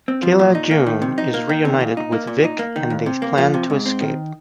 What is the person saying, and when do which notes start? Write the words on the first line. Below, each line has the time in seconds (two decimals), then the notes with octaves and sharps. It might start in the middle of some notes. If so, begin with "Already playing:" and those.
Quilla June is reunited with Vic and they plan to escape.
0.08 C4
0.23 F3
0.39 A#2
0.55 D#4
0.71 A#3
0.86 D#3
1.02 C3
1.18 D#4
1.34 A#3
1.49 D#3
1.65 C3
1.80 A#2
1.97 D#4
2.12 A#3
2.27 A#2
2.44 D#4
2.59 A#3
2.76 D#3
2.90 D#2
3.06 C3
3.22 A#3
3.38 F3
3.54 C3
3.70 G#2
3.86 C4
4.01 D#3